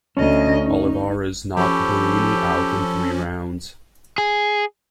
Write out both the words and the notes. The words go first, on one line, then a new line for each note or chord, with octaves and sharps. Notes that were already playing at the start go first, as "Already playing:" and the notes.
Olivares knocked Burruni out in three rounds.
D2 C#4 D#5
D#4
F3 C#4 G4 A4 B5 C#6
G#4